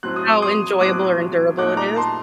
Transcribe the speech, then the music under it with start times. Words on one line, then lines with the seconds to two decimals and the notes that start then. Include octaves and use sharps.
how enjoyable or endurable it is?
0.03 A2 F#3 C4 F#6
0.16 D#6
0.30 D6
0.42 C6 D#6
0.81 A2 F#3 C4 D6 F#6
1.58 A#2 A3 D#4 D6 F#6
1.77 A#5 D6
1.96 A5 C6